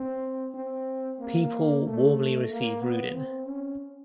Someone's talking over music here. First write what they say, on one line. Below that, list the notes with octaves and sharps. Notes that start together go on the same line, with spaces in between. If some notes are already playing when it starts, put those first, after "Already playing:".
People warmly receive Rudin.
Already playing: C4
C4
A#3
A3
A#3
B3
C4
C#4